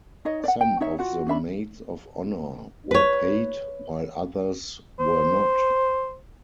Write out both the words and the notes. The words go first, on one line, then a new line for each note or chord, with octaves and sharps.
Some of the maids of honour were paid, while others were not.
D#4 C#5 D#5
D5 F#5
G5
D#4 C#5 E5
F4 F#4 F#5
C#4 D4 E5 B5
B4 C#5
C5